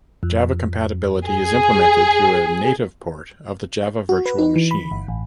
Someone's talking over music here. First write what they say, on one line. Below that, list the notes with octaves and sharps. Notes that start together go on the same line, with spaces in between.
Java compatibility is implemented through a native port of the Java virtual machine.
F2
G#4
F#4
B4
D#4
E3
B5
G1
A1